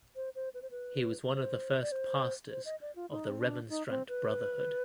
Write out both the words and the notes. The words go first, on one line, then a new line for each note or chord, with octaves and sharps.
He was one of the first pastors of the Remonstrant Brotherhood.
C5
C5
B4
C5
B4
C5
D5
C5
C5
D#5
D5
F4
D#4
C4
D4
D#4
C4
B4